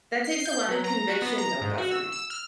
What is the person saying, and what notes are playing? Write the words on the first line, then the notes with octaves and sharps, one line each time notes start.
That takes a lot of conviction though, doesn't it?
C7
G6
F#3
A#5
F#4
B3
A#5
G#2
F#4
E6
E6
F6